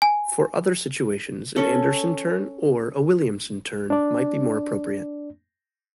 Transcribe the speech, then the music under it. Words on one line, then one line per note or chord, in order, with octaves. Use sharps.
For other situations, an Anderson turn or a Williamson turn might be more appropriate.
G#5
C#4 A4
D4 D5